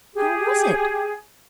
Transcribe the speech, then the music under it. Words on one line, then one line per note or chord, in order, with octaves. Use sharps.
How was it?
G4 G#4